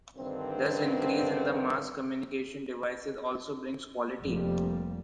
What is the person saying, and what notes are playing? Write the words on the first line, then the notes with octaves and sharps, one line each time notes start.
Does increase in the mass communication devices also brings quality?
G2 D3 D#3 C4
F1 F2 F3 G3 A#3